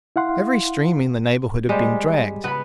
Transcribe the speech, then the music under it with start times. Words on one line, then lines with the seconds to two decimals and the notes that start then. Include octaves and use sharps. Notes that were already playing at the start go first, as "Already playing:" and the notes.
Every stream in the neighbourhood had been dragged.
0.16 E4 F5 F#5 C6
1.69 G3 G#3 A#3 C5
2.44 C#2 B3 B5